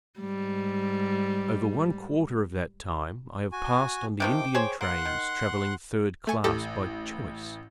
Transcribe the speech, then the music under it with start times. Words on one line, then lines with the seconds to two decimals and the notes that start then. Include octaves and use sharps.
Over one quarter of that time I have passed on the Indian trains travelling third class by choice.
0.20 G#2 G3
3.52 F#4 G#5
4.20 C3 D#3 F3 G5 D6
4.55 G#4 C5 C#5
4.81 A#3 F#5 C6 F#6
5.05 D#3
6.27 A3 G#5 C#6
6.44 A1 G4 A4 A#6